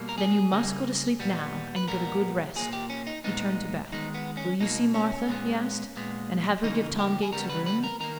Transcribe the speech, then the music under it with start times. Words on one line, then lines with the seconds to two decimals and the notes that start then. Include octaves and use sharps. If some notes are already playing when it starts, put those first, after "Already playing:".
"Then you must go to sleep now, and get a good rest." He turned to Beth. "Will you see Martha," he asked, "and have her give Tom Gates a room?"
Already playing: B2 G3 A#3
0.09 A#4
0.18 G#4
0.52 C#3 G3 A#3
1.20 A#2 G3 B3
1.76 B4
1.88 A#2 G3 B3 A#4
2.56 A#2 A#3 G#4
2.73 G4
2.90 C#4
3.07 D#4
3.24 A#2 G#3 B3 D#4
3.92 D#3 G#3 B3 D#4
4.14 B3
4.37 C#4
4.60 B2 A#3 D#4
4.94 C#4
5.28 A#2 G#3 B3
5.96 A#2 G#3 B3
6.64 C#3 E3 A#3 D#4
6.99 G4
7.22 G#4
7.32 C#3 G3 B3 A#4
7.50 B4
7.66 B4
7.84 A#4
8.00 D#3 A#3 A#4